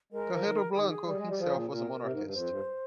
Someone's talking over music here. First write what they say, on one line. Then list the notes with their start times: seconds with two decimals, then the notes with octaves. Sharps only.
Carrero Blanco himself was a monarchist.
0.12 G#3 A#4
0.27 F3
0.43 D#3
0.75 D#3 G#4
0.82 G4
0.89 G#4
1.06 G3
1.17 G#3
1.28 G3 G4
1.39 F3 G#4
1.54 A#2
1.70 A#2 A#4
2.01 C3
2.11 G#2
2.23 G2
2.33 F2 C5
2.49 G2